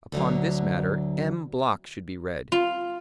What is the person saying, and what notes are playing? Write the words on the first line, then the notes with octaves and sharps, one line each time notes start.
Upon this matter M. Bloch should be read.
D2 D3 F#3
F4